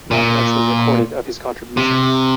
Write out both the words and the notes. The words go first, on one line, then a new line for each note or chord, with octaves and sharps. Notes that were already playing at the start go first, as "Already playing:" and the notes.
Not much was recorded of his contributions.
A#2
C3